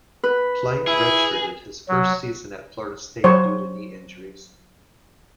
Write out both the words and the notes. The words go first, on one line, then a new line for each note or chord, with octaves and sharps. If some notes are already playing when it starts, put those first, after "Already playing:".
Polite redshirted his first season at Florida State due to knee injuries.
B4
E4 G#4
F#3
F#3 C5 C#5